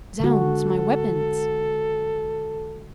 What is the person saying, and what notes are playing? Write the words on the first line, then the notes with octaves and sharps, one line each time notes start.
"Zounds! my weapons."
D3 G#3 F#4 A4